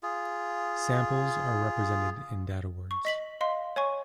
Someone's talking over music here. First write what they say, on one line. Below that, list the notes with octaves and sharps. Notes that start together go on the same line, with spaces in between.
Samples are represented in data words.
F4 G#4
C#6
D#5 B6 F#7
D#5 F5 C6
C#5 G#5 C#6